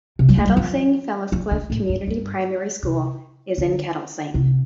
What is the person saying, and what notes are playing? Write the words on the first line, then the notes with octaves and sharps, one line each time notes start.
Kettlesing Felliscliffe Community Primary School is in Kettlesing.
C3
G3
A3
G3
F3
F3
D3
A2
G2
G2
C3
D3
C3